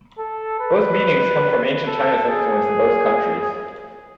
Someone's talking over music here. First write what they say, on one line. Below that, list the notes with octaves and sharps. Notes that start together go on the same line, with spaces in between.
Both meanings come from ancient China's influence in both countries.
A4
B4
A4
G#4